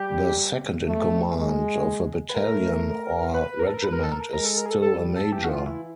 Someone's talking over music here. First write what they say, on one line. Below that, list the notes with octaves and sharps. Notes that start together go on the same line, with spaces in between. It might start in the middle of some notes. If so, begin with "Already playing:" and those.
The second-in-command of a battalion or regiment is still a major.
Already playing: G3 G4
A3
G#3
B4
A3 A#4
B4
A#4
A4
A#4
B4
A#4
A4
A#4
G#3 A#4
A4
A#4
G#4
A4
G3 A4
A4
E3 G4
F#4
F4
E4